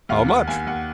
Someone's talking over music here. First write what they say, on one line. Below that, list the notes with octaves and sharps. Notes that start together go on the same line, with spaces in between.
How much?
D#2 F5
D#2 F#5
D#2 G#5
D#2 F#5